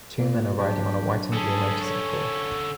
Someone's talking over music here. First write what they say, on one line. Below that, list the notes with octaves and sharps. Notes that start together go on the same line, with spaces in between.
Two men are riding on a white and blue motorcycle.
A#2 A#3
F#3 D4 G4
D3 C#4 G#4 A4 A5
C#5